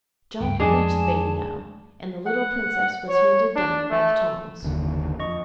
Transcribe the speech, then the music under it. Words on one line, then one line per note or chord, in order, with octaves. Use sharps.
John could reach the baby now, and the little princess was handed down by the tongs.
C#2 G2 G5
F2 G#3 D4 G#5 A5
F#5
C#5
D4
A3
F#1 D#2 D3
F2 D#5 C#6